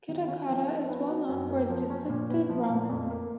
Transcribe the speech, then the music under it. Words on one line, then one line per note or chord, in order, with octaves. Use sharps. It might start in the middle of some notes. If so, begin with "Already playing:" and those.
Kitakata is well known for its distinctive ramen.
D#3
C#4
F3
D#4
B3
F#4
F#2
A#3
F3
C#4
A#2
B3
F3
A#2
F2
A#3